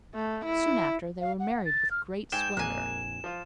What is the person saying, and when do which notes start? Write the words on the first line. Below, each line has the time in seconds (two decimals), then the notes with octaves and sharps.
Soon after, they were married with great splendour.
0.15 A3
0.46 E4
1.21 F5
1.40 F#5
1.65 A6
1.91 F6
2.32 G#2 G5 G#5 E7
2.57 A#1 F2 G#3 A#3 G#5 F#6
3.24 F3 F4